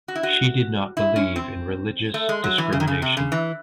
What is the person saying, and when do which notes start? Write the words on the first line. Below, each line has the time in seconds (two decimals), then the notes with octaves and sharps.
She did not believe in religious discrimination.
0.08 F#4
0.16 E4
0.23 F#4
0.97 E4
1.16 C#4
1.36 C4
2.14 A3
2.29 G#3
2.44 F#3
2.58 E3
2.72 C#3
2.80 D#3
2.87 C#3
3.02 C3
3.17 C#3
3.32 E3